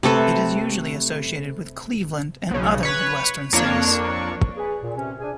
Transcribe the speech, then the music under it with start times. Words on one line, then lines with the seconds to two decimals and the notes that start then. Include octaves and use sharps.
It is usually associated with Cleveland and other Midwestern cities.
0.03 C3 A3 A4 B4
2.51 B1 C#3
2.83 B4 C#5
3.53 F2 A#3 D4 C#5
4.57 G#4 B4
4.83 A#2
4.96 C3 C#4
5.20 D4 G#4 G#5